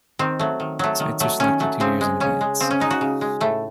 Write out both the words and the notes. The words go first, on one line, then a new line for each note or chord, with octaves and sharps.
Sites are selected two years in advance.
D#3 C4
F#3 A3
D#3
F#3 A3
D#3
F#3 A3
D#3 C#4
F#3 A3
C#3 C4
G#3
C#3 C#4
G#3
C#3 C4
C#4
G#3 D#4
F#4
C#3
G#3
A2 A3